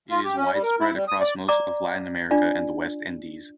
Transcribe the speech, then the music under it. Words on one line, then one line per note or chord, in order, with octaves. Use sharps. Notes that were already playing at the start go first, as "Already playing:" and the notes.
It is widespread across most of Latin America and the West Indies.
F4
G4
C#4
G3
A#4
E4
G3
D#6
D5
D5 A#5 D6
D4 F4 D5